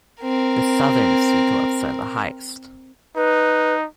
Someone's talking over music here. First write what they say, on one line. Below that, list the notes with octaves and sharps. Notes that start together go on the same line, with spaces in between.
The Southern sea-cliffs are the highest.
C4 A#4
D#4 B4